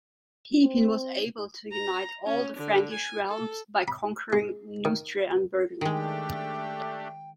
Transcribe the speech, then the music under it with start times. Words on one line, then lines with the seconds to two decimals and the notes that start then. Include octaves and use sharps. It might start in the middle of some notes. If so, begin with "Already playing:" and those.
Pepin was able to unite all the Frankish realms by conquering Neustria and Burgundy.
0.63 C4
1.72 A#5
2.27 C#4
2.56 D3
2.92 G#5
3.28 A4
3.88 B5
4.33 G#3
4.85 D#3
5.81 D#3 G#3 A3 D4 G4 G5